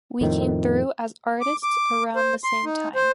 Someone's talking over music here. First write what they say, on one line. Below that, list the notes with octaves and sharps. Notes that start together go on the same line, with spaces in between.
We came through as artists around the same time.
F2 A2 D#3
D6
D6
C5
C6
D#4
C5